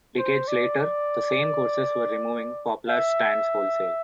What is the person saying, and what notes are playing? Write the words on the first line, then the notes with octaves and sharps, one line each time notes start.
Decades later the same courses were removing Poplars stands wholesale.
C5
D5
D5
E5